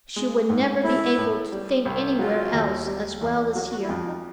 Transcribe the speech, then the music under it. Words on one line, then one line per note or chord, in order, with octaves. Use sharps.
She would never be able to think anywhere else as well as here.
G#3
G#2
A3 E4
A2
G3
C2
F#3 F4
D#2
G3
E2
F#3 F#4
F#4
E4
F2 F4
D#4